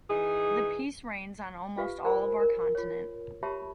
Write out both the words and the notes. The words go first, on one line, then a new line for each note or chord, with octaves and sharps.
The piece reigns on almost all of our continent.
E3 D#4 G#4
F4 G4 B4 E5 F5
A#4 C5 D5 G#5 B5
A#4
F4 C#5
F#4 G4 C#5 E5 A5 B5